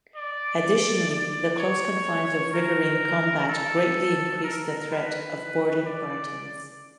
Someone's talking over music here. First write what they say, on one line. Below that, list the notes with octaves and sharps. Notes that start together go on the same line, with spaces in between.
Additionally, the close confines of riverine combat greatly increased the threat of boarding parties.
D5
D5
C#5
A#4
A4
A#4
B4
D5